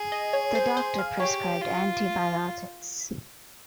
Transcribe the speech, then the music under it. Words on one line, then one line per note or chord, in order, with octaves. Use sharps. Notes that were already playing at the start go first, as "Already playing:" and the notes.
The doctor prescribed antibiotics.
Already playing: G#4
D#5
C#5
C5
C5
F5
G4 C#5
F4